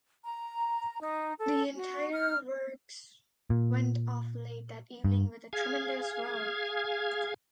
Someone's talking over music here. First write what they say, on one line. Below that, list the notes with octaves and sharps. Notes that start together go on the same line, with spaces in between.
The entire works went off late that evening with a tremendous roar.
A#5
D#4
A4
F#4
F6
A#2
G2
G#4 F5 G#6